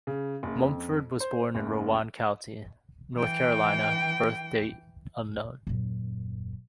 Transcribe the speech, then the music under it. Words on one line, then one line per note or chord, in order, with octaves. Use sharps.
Mumford was born in Rowan County, North Carolina, birth date unknown.
C#3
F#1
F2
C5
F#1
E3 G5
D#1 F#2